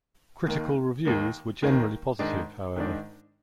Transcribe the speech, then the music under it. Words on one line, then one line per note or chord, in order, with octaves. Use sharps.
Critical reviews were generally positive, however.
D#2 D#3 A#3
D#2 D#3 A#3
D#2 D#3 A#3
G#2 D#3 G#3 D4
G#2 D#3 G#3 D4